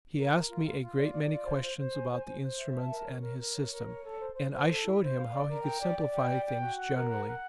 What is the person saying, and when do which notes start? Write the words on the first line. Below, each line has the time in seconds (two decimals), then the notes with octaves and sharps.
He asked me a great many questions about the instruments and his system, and I showed him how he could simplify things generally.
0.17 A#4
0.33 A#4
0.48 F4
0.65 F4
0.80 F4
0.98 D5
1.13 D5
1.29 F4
1.45 C5
1.62 C5
1.77 C5
1.94 G#5
2.10 C5
2.25 C5
2.41 C5
2.58 E5
2.75 A5
2.90 A#4
3.06 C#5
3.22 A#4
3.39 A#4
3.54 C#5
3.71 A#4
3.86 C#5
4.04 A4
4.19 C5
4.35 C5
4.52 C5
4.68 A4
4.84 E4
5.00 C5
5.16 F5
5.32 D5
5.48 A#4
5.64 G5
5.80 D5
5.97 D5
6.13 G5
6.29 D5
6.45 G5
6.60 F#4
6.77 F#5
6.94 A#4
7.10 F#5
7.25 F#5